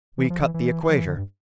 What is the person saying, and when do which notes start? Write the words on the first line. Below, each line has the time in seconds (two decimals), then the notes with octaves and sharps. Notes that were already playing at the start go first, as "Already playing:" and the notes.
We cut the Equator.
0.18 E3
0.30 F3
0.42 E3
0.54 E3
0.90 F3
0.98 E3
1.07 D3
1.17 G2